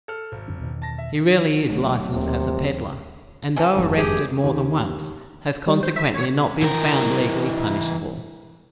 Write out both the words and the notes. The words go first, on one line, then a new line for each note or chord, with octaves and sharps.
He really is licensed as a peddler, and though arrested more than once, has consequently not been found legally punishable.
A4 F6
G#1
F#2 D3 C4
E2 B2 D#3
A5 A#6
E5
D1
D#2 C3
C#3 E3 A4
F#1 F2 G#2
G4 G#4
D#2
G3
C5
E5
C#5
E3 A#4